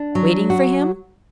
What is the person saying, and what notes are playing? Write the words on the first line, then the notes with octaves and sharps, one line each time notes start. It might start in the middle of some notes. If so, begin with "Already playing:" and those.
Waiting for him?
Already playing: D4
F#3
F#4